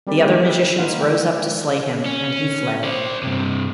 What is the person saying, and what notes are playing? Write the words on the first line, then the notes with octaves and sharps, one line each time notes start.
The other magicians rose up to slay him, and he fled.
G3 C4 G4 A#4 D5 B5
A3 G4 G#4 D5 F#5 B5
G4 E5
A#3 D#4 B4 C5 F5 F#5
G#3 G5
C#4
C5 D5
G2 C3